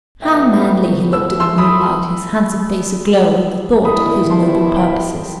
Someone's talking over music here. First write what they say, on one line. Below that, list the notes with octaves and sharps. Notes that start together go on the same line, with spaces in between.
How manly he looked in the moonlight, his handsome face aglow with the thought of his noble purposes!
A2 F#3 B3 E5 G5
E6
C6 E6
B5 D#6
G2 D#3 G3 B3 E4 B5 D#6
A5 C6
G5 B5